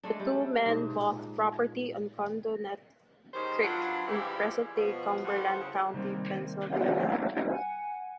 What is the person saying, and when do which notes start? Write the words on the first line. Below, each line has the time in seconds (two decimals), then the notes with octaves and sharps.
The two men bought property on Conedogwinet Creek in present-day Cumberland County, Pennsylvania.
0.03 G#3 A3 D4
0.20 G3
0.66 G#2 B2 D4
0.96 A#2
3.34 D#3 G3 C#4 D#4 G#4 C5
3.63 F#3 D4 F4 B4 F5 F#5
4.07 C#3 E3 F3 G3 E4 G4
4.75 B2 F3
5.24 A2 G3 C4 C5 F#5
5.60 C#3
5.93 C3 D#3 G3 A#3 C4
7.49 F#5 G#5